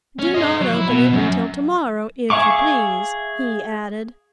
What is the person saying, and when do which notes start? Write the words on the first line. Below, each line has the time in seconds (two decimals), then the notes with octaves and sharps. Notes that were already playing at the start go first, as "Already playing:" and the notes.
"Do not open it until to-morrow, if you please," he added.
0.19 C#4
0.34 C5 D#5
0.61 F#3
0.74 E4
0.88 B2
1.13 F#2
2.30 G#4 E5 F5 C#6 D6